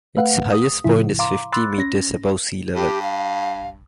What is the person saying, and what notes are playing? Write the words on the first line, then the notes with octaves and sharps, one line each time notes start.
Its highest point is fifty meters above sea level.
A3 B4 F5 F#5
D#6
A2 C#3 F3 E4
F5 A#5 C6 D6
B5 C6 D6 E6 F#6 A6
C#4 A#6
G2 G4
F5